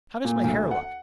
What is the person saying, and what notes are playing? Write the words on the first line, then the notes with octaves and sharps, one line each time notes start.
How does my hair look?
A#2
D2
F#5